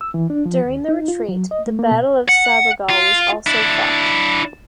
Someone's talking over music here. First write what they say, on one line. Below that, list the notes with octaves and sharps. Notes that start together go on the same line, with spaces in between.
During the retreat, the Battle of Sabugal was also fought.
E6
E3
D4
F3
D#2
D#4
F4
F#3
D#5
A3
A#3
B2
F#5
F4
D4 E4